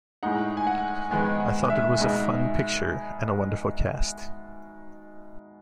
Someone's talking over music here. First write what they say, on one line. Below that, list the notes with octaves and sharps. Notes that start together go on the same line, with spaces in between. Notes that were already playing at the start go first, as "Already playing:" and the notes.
I thought it was a fun picture and a wonderful cast.
A2 G#3 D#4 F#5
G#5
F#5
G#2 D#3 G#3 B3 G#5
F#5
E5
B2 G#3 D#4